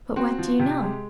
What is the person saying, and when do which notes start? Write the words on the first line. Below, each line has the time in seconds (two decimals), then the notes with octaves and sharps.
But what do you know?
0.16 C4 F#4
0.39 F3
0.59 C3 G4
0.82 G#3